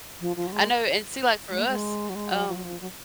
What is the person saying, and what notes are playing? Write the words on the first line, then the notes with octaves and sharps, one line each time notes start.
I know, and see, like, for us, um
F3
F3
F#3
G#3
G#3
A#3
G#3
F#3
G#3
F#3
F3
F#3
F3
F#3